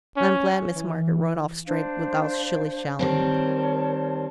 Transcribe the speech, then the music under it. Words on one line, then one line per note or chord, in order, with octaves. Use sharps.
And I'm glad Miss Margaret wrote off straight, without shilly-shallying.
C#4
E3
D4 C5 F5
D#3 G3 C4 A#4 C#5 A5